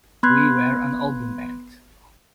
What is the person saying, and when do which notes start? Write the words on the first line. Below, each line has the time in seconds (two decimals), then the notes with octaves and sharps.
We were an album band.
0.23 B3 B5 C6 F#6 G#6